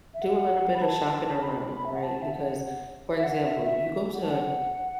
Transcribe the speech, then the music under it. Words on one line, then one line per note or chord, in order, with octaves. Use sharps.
do a little bit of shopping around, right, because for example, you go to
E5
F#5
B5
A5
A5
B5
E5
F#5
A5
E5
F#5
E5
F#5
E5
E5
F#5
A5
F#5